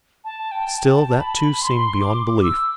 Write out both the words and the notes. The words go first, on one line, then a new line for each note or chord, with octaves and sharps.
Still, that too seemed beyond belief.
A5
G5
A5
B5
C6
D6
E6